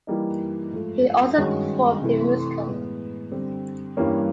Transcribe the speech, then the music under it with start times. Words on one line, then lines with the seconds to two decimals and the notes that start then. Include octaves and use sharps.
He also performed in musicals.
0.07 E3 G3 A#3 D#4
0.73 G#2 F3 A3
1.37 G2 D#3 G#3 C#4 F#4
2.02 C3 E3 A3
2.67 A2 E3 G#3 B3
3.31 D3 G3 C4
3.97 G2 E3 G3 A#3 C#4